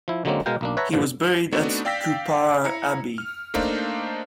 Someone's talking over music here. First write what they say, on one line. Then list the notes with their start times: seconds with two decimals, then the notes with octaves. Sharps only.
He was buried at Cupar Abbey.
0.08 F3 E4
0.25 D3 F#3 G#3 A#3 C4 C#4
0.46 B2 G#3 A#4 F5 G5
0.61 B1 A#3 D4
0.77 B4 C#5 E5 F#5 A5 A#5
0.93 G2 A#2 D3 F3
1.52 A3 B3 C4 D4 D#4 F#4
1.85 D5 F5 G5 E6 A#6 B6
2.64 E4 A#5 C#7
3.18 F6
3.54 A3 A#3 D4 D#4 C5 F5